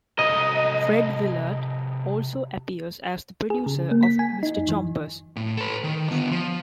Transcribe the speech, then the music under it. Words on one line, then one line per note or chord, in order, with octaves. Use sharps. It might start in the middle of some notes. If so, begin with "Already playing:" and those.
Fred Willard also appears as the producer of Mr. Chompers.
C3 F#4 A4 D#5
G#4
C#3
A#3
B6
G#5
D#4
F#2
E3
A2
A4 B4
D#3
D3 B3
F3